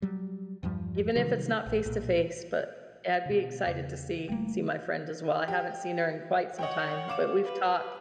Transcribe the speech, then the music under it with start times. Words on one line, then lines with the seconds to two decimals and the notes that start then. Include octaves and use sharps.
even if it's not face-to-face, but yeah I'd be excited to see see my friend as well, I haven't seen her in quite some time, but we've talk
0.02 F#3 G3
0.63 E2 G2 F3 G3
1.15 C3 D#3 F#3 G3
1.66 A1
1.86 B1 A#2
3.26 B2 D3
3.66 E2 C#3
4.28 F1 G3 A3 A#3
5.48 G4
6.58 C#5 D#5 F#5 G5
7.08 F5 D6 E7
7.44 B4